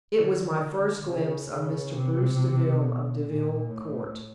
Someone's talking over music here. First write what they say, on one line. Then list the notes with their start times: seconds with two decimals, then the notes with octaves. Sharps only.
It was my first glimpse of Mr. Bruce Deville of Deville Court.
0.17 D3
1.05 C#3
1.49 C#3
1.92 C3
2.80 B2
3.24 A#2
3.67 A2